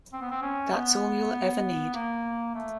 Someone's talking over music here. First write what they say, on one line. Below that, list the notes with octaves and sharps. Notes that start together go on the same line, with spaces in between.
That's all you'll ever need.
C4
B3
C4
C#4
B3
A#3
A3